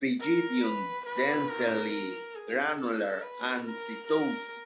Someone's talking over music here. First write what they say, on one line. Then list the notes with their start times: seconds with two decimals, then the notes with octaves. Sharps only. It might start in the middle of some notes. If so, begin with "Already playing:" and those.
Pygidium densely granular and setose.
0.20 A#4
0.63 B4
1.06 B4
1.49 A#4
1.92 A#4
2.35 G#4
2.79 A4
3.22 B4
3.65 A#4
4.08 A#4